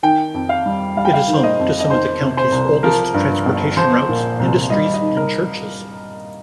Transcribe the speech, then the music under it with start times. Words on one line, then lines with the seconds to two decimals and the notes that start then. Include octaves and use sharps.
It is home to some of the county's oldest transportation routes, industries and churches.
0.03 D#3 G5
0.34 F2
0.49 F5
0.66 G3
0.97 G3 F5
1.05 G5
1.13 F5
1.28 D#3
1.33 C5
1.44 D#5
1.59 F2
1.80 D#5
1.90 D#3 C5
2.21 C3
2.37 C5
2.52 C2
2.83 F3 A#4
3.14 G2
3.46 G1
3.77 F3 C5
4.09 A#2
4.39 C2
4.70 G3 D#5
4.94 D#5
5.01 D#3
5.17 A#4